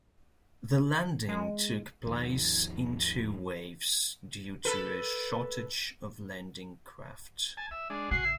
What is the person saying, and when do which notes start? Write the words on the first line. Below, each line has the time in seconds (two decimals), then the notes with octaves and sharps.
The landing took place in two waves due to a shortage of landing craft.
1.29 G#3
2.06 G#1 D#2 D#3 F3
4.65 A4 B4
7.57 G#5 A5
7.71 E5
7.90 G#3 D4
8.11 A1 C#3 F#4 F#5 G#5 C7
8.25 E5